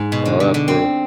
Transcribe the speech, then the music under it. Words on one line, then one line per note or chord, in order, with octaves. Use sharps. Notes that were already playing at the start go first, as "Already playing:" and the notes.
Oh, that's brutal.
Already playing: G#2
B2
D3
D3
D3
C4